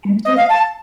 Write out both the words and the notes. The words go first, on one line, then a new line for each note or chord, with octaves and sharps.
You do it.
D#5
F5
A5